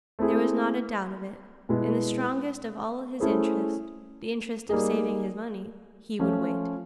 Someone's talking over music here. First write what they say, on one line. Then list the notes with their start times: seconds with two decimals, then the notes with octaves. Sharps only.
There was not a doubt of it, in the strongest of all his interests--the interest of saving his money--he would wait.
0.19 A3 C4 E4 G#4
1.69 B2 G#3 B3 E4
3.20 A3 C#4 E4 G#4 C5
4.69 G3 A#3 D#4 G#4
6.19 F3 A3 C#4 F4